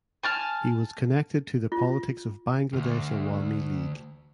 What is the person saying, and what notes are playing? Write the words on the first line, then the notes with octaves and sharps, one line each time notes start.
He was connected to the politics of Bangladesh Awami League.
G#5 A5 F6
F4
D2 G2